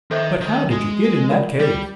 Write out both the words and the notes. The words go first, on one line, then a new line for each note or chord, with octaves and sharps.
"But how did you get in that cave?"
D#3 A4 C5 E5
D#3
G#3
F4 A#4 D5
G3